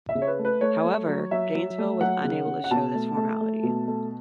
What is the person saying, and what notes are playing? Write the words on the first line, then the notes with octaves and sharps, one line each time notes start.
However, Granville was unable to show this formally.
E5
C#3
C#5
B4
A3
B4
A3 C#5
A3
F#3
F#3 E5
F#3
A3
F#3 F#5
C#3
C#3
F#5
B2 A5
A3
A3
A3
B2
A3